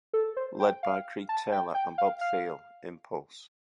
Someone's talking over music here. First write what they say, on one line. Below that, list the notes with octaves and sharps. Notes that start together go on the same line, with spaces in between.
Led by Creed Taylor and Bob Thiele, Impulse!
A4
C5
G5
F5
A5
G5
G5
F5
F5